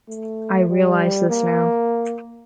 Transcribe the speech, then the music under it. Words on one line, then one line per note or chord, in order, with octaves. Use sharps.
I realize this now.
A3
G3
A#3